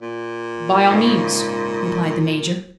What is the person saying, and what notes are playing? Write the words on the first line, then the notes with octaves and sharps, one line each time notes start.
"By all means," replied the major.
A#2
G#2 C#3